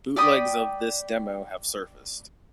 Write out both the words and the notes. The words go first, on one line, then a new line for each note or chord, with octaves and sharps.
Bootlegs of this demo have surfaced.
D5 G5 B5 D#6